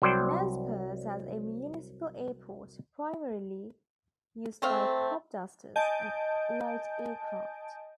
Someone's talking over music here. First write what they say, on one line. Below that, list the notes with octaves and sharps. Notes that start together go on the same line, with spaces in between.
Nezperce has a municipal airport, primarily used by cropdusters and light aircraft.
C2 F#3 C5 D5 G5
A3 C4 C5 F5
D#5 G#5 A5 G6 D7